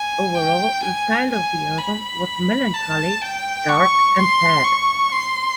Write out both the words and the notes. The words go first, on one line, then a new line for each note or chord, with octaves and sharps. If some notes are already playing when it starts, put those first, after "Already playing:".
Overall, the style of the album was melancholy, dark and sad.
Already playing: G#5
G5
G#5
G#5
B5
A5
G5
C#6
C6
C#6
C6